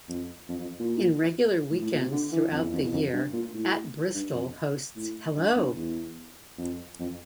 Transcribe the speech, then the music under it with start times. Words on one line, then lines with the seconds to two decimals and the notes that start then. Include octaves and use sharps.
In regular weekends throughout the year At-Bristol hosts Hello!
0.08 F2
0.49 F2
0.59 F2
0.79 A#2
1.71 A2
1.81 A2
1.91 A#2
2.01 C3
2.12 D3
2.32 E3
2.52 F2
2.62 E2
2.72 F2
2.82 E2
2.93 F2
3.13 G2
3.33 A#2
3.54 A2
4.15 G2
4.35 F2
4.96 A2
5.36 G2
5.56 G2
5.77 E2
6.58 F2
6.99 F2